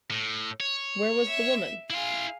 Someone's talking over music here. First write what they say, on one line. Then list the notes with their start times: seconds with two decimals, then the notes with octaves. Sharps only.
Where was the woman?
0.11 A2
0.60 C#5
1.28 E5
1.90 E4 G#4 F5 C6